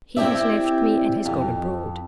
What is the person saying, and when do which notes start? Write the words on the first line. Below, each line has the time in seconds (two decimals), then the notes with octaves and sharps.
"He has left me, and has gone abroad."
0.17 C4 E4 G4 D5 E5
1.26 F2